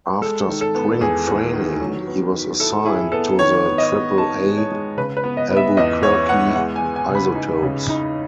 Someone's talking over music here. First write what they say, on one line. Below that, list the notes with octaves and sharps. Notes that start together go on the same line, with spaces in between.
After spring training, he was assigned to the Triple-A Albuquerque Isotopes.
G#3 A4
D#3
A4
B3
E2 G#4
E2
D#3
F#3
B3
D#3
E4 A4
E4 G#4
B3 A4
D#3 C#5
B3
D#5
B3
D#4 A5
G#3
C#5
G#3
C#3 B4
B4
B3
D#5
B3
E5
E2 D#5
E2 C#5
B3 F#5
G#3 F#5
G#5
G#3
G#5
C#3
B5
D#4
C#3
D#4